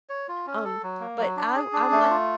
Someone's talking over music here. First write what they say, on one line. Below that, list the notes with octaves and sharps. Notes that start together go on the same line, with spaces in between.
Um, but I I'm like
C#5
F4
C#4
A4
F#3
A#3
F#3
D4
G#4
D4
A3
F4